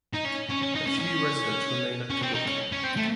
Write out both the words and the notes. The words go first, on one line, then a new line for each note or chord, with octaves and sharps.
A few residents remain at Kobuk.
D#4
C#4
C#4
C#4
D#4
C#4
C#4
C#4
C4
D#4
C#4
C#4
C4
A3